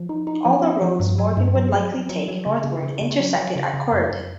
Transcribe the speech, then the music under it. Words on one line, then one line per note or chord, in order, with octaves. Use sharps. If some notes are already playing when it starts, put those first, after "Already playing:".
All the roads Morgan would likely take northward intersected at Corydon.
Already playing: F3
D#4
D#4
F3
C4
F3
G2
F#3
G2
F#3
F#3
F#3
F#3
F#3
C#3
C#3
C#3
C#3
F#3
F#3
C#3
C#3
F#2
F#2